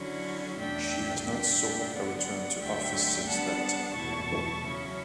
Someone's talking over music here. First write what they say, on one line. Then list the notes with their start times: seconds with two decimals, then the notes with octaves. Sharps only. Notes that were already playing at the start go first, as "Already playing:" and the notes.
She has not sought a return to office since that time.
Already playing: D3 F#3 C#4 E4
0.58 E2 B2 A3 D4 E5 G5
1.26 A2 G3 D4 E5 G5
1.93 D3 F#3 B3 D5 F#5
2.60 D2 D3 F#3 A3 E5 G5
3.27 D3 G3 B3 D4 F#5 A5
3.95 E2 B2 A3 E4 A5 C#6
4.62 C#3 F#3 C#4 E4